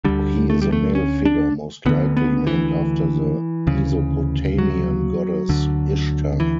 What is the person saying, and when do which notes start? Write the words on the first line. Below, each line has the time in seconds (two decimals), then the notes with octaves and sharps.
He is a male figure most likely named after the Mesopotamian goddess Ishtar.
0.05 D2 D3 G3
0.50 A3
0.62 G3
0.72 A3
0.95 C#4
1.25 D4
1.86 D2 D3 B3
2.17 B3
2.47 E3
3.67 D2 C#3
4.58 F#3
5.49 D2 D3
6.40 E3